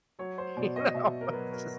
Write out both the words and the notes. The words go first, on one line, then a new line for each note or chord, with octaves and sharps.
You know? It's just
F#3 C#5
C5
B2 D5
D#5
B2 E5
A#4
F#3 B4
A#4